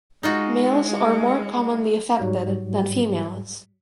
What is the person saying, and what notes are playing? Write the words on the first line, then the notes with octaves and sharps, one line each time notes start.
Males are more commonly affected than females.
G#3 D#4 F4 F#4
G#2 F#3 G3